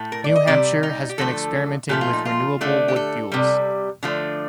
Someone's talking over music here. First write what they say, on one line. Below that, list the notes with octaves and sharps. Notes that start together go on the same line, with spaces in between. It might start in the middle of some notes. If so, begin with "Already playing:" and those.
New Hampshire has been experimenting with renewable wood fuels.
Already playing: A2 A3
A#4
D5
D#5
C3 G3 D5
D#4
G4
D3 F3 A3 A4
A#2 F3 A3 G4
F4
D#4
F4
D3 A3
G4
A4
C3 G3
D3 F3 A3